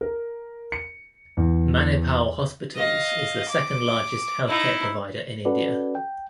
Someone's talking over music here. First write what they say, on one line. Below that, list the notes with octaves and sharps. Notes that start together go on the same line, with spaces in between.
Manipal Hospitals is the second largest healthcare provider in India.
A#4
C#7
E2
D#5 F5
D6
D#4 E4
C#4 F#4 A4 B4 D5
G5